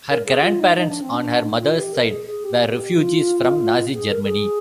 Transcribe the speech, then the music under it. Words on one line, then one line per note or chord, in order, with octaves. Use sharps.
Her grandparents on her mother's side were refugees from Nazi Germany.
A#4
G#4
F4
D#4
D#4
D4
C4
D4
D#4
F4
G4
A#4
G#4
G#4
G4
G4
F4
G#4
A#4
A#4
G#4